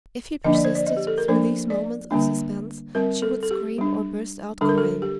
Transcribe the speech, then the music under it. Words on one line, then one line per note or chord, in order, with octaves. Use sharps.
If he persisted, through these moments of suspense, she would scream or burst out crying.
D3 F3 A#3 D4 D#5
D5
C5
D5
D#5
G4
A4
A#4
F3 A#3 D4 C5
D5
D3 G3 A#3 D4
G3 C4 A#4
A4
A4
G4
G3 D4
D3 G3 D4 A4
A#4
A4
G4